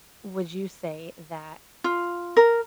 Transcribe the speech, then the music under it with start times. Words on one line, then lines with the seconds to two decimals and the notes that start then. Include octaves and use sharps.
would you say that
1.84 F4
2.37 A#4